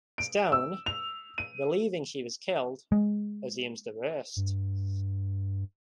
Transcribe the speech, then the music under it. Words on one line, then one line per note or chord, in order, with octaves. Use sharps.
Stone, believing she was killed, assumes the worst.
D7
E6
F7
D#7
G#3
G2